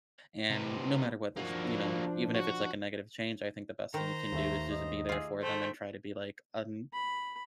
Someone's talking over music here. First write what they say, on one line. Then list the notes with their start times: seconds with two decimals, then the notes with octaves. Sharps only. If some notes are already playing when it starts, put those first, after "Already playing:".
and no matter what the ch you know, even if it's, like, a negative change, I think the best thing you can do is just be there for them and try to be, like, un
0.50 C3 B4
1.37 F3 A#3 D4 F#4
2.34 F#4
3.94 D#3 C5 A#5
4.32 D#2 A3 E5
4.71 D#5
5.09 F4 G#4 D6 E6
5.42 A3 C5 G5
6.93 B5